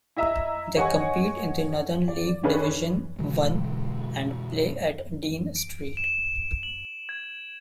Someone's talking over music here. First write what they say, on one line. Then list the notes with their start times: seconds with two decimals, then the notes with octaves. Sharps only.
They compete in the Northern League Division One and play at Dean Street.
0.17 E4 D#5 E5 A#5 E6
0.77 C#5 D#5 F#5 G#5 C#6
2.08 D5
2.43 D#3 C#4 D4 G#4 B4
3.19 B2 D3 E3 G#3
5.56 D7
5.97 E7
6.63 F#7
7.09 G#6